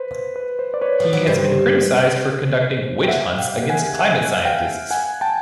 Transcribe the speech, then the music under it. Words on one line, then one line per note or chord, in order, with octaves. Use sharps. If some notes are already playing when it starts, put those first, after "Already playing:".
He has been criticized for conducting "witch hunts" against climate scientists.
Already playing: B4 C5
B4
C5
D5
B4 C#5
F3 B4
F#3
G2 G3 C5
G5
C#3 E5 F#5
C3 F5 G5
C3
C#3 F#5 G#5
E5 F#5
F5 G5
F#5 G#5
G5 A5